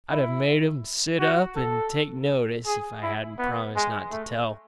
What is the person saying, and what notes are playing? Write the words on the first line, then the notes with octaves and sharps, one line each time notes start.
I'd have made them sit up and take notice if I hadn't promised not to tell.
E4
F#4
A4
G#4
E4
B3
G#3
A3